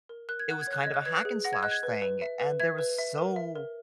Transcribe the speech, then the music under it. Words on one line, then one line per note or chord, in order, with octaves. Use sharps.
it was kind of a hack and slash thing, and there was so
A#4
A#4 F#6
G#6
F#5 F#6
G#6
C#5
F#6
D#5 G#6
F#6
B4 G#6
F#6
G#4
F#5 A#6
G#6
D#5 F#6
G#6
B4
B4
E5
B4
E5 G#6
B4
E5
A#4
E5
A#4